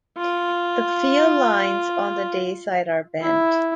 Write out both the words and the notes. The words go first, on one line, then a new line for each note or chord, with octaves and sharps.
The field lines on the dayside are bent.
F4
E4